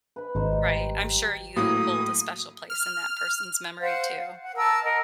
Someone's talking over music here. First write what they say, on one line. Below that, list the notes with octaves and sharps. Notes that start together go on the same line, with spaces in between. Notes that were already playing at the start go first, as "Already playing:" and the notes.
Right. I'm sure you hold a special place in that person's memory too.
B4 B5
G#1 D#4 C5
G3
A2 F#3 A#3 D#6
F6
C5 F5 F#5
F5
F#5
A#4 A5 E6
A#4 D#5 F#5